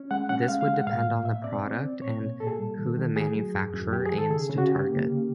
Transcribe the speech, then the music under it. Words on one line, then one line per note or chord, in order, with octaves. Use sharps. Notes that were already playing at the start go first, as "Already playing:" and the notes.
This would depend on the product and who the manufacturer aims to target.
Already playing: C#4
G#3 F#5
C#4 F#5
G#3 F5
F5
G#3
F#5
A2 F5
A2
A#2 E5
C4 D5
C4
C4
A#2 C#5
A#2
A#2 A4
G#4
G3 A4
D#3
D#3
A3 G#4
F#3
F#2
F#2
F#3 G4
G#4
D#3
A4
C#3 G#4
C#3
F#4
C#3 G4
A#3
C#3